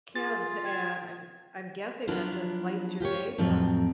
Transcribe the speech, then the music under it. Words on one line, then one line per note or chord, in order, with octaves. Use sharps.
kids, and I'm I'm guessing that just lights your days up.
F4 G#4 A6
G5 G#6
F3 F#3 B3 D4 E4 F4
F4 G4 C5 C#5
F2 A2 F3 F#3 C4